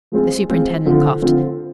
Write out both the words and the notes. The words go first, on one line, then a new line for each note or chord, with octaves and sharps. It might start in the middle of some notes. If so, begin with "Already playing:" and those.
The superintendent coughed.
F3 G#3 C4 F4
F3 G#3 C4 F4
D3 F3 C4 F4
D3 F3 C4 F4